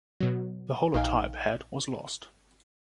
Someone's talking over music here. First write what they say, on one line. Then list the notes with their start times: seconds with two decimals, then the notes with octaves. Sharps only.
The holotype head was lost.
0.20 B2 F#3
0.94 A#1 D#4 F5 G5 G#5